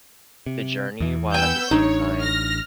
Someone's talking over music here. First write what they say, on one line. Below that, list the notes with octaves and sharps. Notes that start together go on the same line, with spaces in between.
the journey while at the same time,
C3
E2 E3
B3 G5 G#5 E6 G6
A1 D4 D#4 C#5
F6 A#6